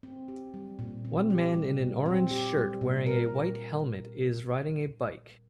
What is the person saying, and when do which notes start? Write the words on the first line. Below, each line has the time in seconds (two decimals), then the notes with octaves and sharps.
One man in an orange shirt wearing a white helmet is riding a bike.
0.03 C4
0.28 G4
0.54 G3
0.79 A#2
1.05 C4
1.30 G4
1.54 G3
1.80 A#2
2.06 C4
2.31 G4
2.57 G3
2.81 A#2
3.06 A#4